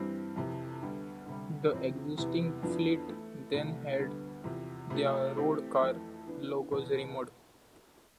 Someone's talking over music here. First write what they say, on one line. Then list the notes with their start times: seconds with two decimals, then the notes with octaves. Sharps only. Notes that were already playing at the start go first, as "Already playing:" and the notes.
The existing fleet then had their RoadCar logos removed.
Already playing: G2 E3 G3 C4
0.36 F2 C3 E3
0.82 D2 D3 G3 B3
1.26 D2 C3 G3
1.71 E2 C3 F3 C4
2.18 E2 C3 E3 B3
2.63 F2 E3 B3 D4 F4
3.08 E3 A3 E4
3.53 C2 C3 E3 A3
3.99 D2 D3 G3 B3
4.44 E2 C3 F3
4.90 C3 F3 A3
5.35 E3 A3 C4 G4
5.80 F2 E3 A3
6.26 E3 B3 D4
6.71 E2 B2 B3